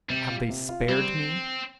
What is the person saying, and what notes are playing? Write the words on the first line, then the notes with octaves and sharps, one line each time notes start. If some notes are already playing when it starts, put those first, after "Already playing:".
Have they spared me?
C3 G3
F4
C3
F4
G3 C4